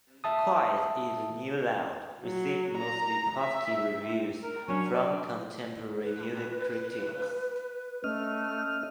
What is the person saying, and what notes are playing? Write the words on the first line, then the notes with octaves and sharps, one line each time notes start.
"Quiet Is the New Loud" received mostly positive reviews from contemporary music critics.
E5 A5 D#6
F#3
A#5
E5
A#4
F#3 C#4 D4
D5
B4
A3 C#4 D#5 F6